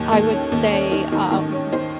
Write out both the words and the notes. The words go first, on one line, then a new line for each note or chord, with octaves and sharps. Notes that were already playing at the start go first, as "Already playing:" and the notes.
I would say, um,
Already playing: D#2 D#3 F#3
D#2 A4
C#4
D#2
C#4
D#3
D#3
D#3
C#4
D#3 C5